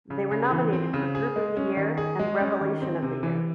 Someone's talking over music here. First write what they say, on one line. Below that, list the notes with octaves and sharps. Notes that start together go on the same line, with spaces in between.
They were nominated for Group of the year, and Revelation of the year.
C#3
C#3
E3
C4
C#3
G#4
G#3
C#4
D#3
G#4
G#3
C#4
D#3
C4
C3
E3